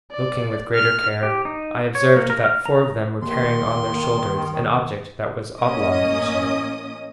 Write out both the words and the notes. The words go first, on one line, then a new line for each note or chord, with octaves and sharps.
Looking with greater care, I observed that four of them were carrying on their shoulders an object that was oblong in shape.
D5
F6
G4
D#4
C#5
A#3
A#4
F6
A#5
D#2 D#3 A#3 C6
A1 A#3 C#4 D#5 D#6